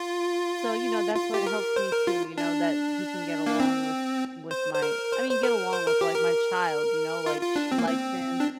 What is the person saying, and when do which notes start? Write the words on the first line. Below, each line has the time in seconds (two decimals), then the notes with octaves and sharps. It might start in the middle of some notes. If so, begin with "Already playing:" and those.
so you know, that's what helps me to, you know, that he can get along with with my I mean, get along with like my child, you know, like she likes him,
Already playing: F4
1.16 F4
1.34 G4
1.46 A#4
1.76 C5
1.92 A#4
2.07 F4
2.38 D4
3.46 A#3
3.60 C4
4.51 C5
4.74 C5
4.82 A#4
5.12 C5
5.31 C5
5.43 A#4
5.73 C5
5.87 A#4
6.01 G4
6.15 A#4
7.26 F4
7.41 F4
7.56 D4
7.72 C4
7.78 A#3
7.87 C4
8.40 D4